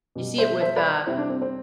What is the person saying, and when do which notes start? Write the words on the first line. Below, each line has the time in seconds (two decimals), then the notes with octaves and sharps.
You see it with uh,
0.16 B2 G3
0.38 C5 E5
0.61 C5 E5
0.76 B4 D5
1.07 C3 G3 C4 E4
1.18 D4
1.30 C4
1.42 C4